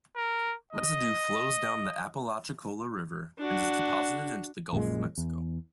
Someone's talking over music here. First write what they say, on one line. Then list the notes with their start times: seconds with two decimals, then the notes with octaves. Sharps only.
Residue flows down the Apalachicola River and is deposited into the Gulf of Mexico.
0.16 A#4
0.73 D#5
3.39 D4 F#4
4.73 A#1 F#2 A#2 G#3
5.18 E2